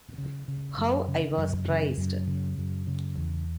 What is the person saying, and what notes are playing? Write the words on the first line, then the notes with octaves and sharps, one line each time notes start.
How I was praised!
C#3
C#3
F#2
C#3
F#2
C#3
F#2
C#3
F#2
C#3
E2